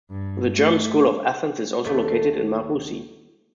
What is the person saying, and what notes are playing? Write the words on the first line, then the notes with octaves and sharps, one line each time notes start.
The German School of Athens is also located in Marousi.
G2
A3
D#2 A3